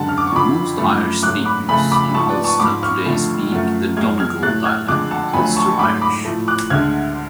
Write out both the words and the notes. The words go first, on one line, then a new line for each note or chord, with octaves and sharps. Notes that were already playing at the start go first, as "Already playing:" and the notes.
Most Irish speakers in Ulster today speak the Donegal dialect of Ulster Irish.
Already playing: F#2 D3 G#3 F#5 A5
F6
D6
C#6
F2 D3 F3 B5 D6
F#2 F3 A3
G#2 F#3 A3 D6 F#6
B5 D6
F2 C#3 F3 A3 G#5 B5
B5 D6
G#2 F3 A3 A5 C#6
B4 D5
A5 C#6
G#2 F3 G#3 B5 D6
C#6 F6
F2 D3 F3 A3
F#2 F3 A3
F#2 F3 G#3 F6 G#6
F6 G#6
A2 F#3 A3 F#6 A6
F6 G#6
F2 D3 G#3 D6 F#6
F#5 A5
F2 D3 F#3 A3 G#5 B5
A5 C#6
G#2 F#3 A3 B5 D6
B5 D6
A2 F3 A3
D6 F#6
D2 D3 G#3 F6 G#6